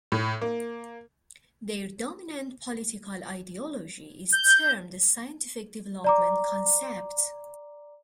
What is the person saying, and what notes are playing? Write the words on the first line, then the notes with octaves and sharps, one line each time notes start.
Their dominant political ideology is termed the Scientific Development Concept.
A2
A#3
G6
D5 A#5 D6